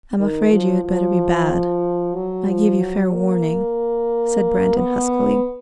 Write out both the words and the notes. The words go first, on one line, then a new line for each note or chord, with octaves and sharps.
"I am afraid you had better be bad--I give you fair warning," said Brandon huskily.
D#3
F3
F3
F#3
F3
F#3
A#3
B3